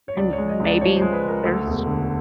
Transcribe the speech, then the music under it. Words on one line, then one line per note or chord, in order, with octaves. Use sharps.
And maybe there's
C#5
C#2 D5
C#5
G#3
D#5
C#2 D5
F3 C#5
C5
G#3
B4
C#2 A#4
D2 A4
E1
D3